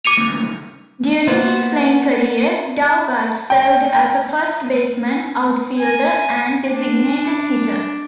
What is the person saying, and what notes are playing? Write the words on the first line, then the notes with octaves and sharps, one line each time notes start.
During his playing career Daubach served as a first baseman, outfielder, and designated hitter.
D6 C#7 D#7 F7
A#3 B3 C5
G5
G#5
D4